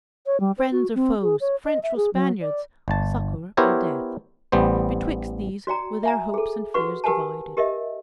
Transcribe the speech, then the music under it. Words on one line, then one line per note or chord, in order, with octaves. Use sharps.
Friends or foes, French or Spaniards, succor or death,--betwixt these were their hopes and fears divided.
C#5
G3
C5
F#4
C4
G#4
C#5
D#5
E5
G#4
F#3
D5
G1 A5
B3 E4 G4 A#4 C5 C#5
A1 G3 B3 C5
F#4 D5 G5 A#5
E5 G#5 A#5
G#4 A4
F#4 B4 F#5 C#6
G4 A#4 B4 F#5 G#5 A5
G4 A#4 D#5 E5